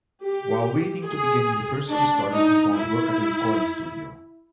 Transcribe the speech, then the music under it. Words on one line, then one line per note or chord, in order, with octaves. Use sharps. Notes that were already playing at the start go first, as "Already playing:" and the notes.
While waiting to begin university studies he found work at a recording studio.
G4
G#4
D4
D#4
E4